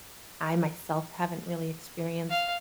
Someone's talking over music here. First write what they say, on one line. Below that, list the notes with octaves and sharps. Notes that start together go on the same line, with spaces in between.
I, myself haven't really experienced
F5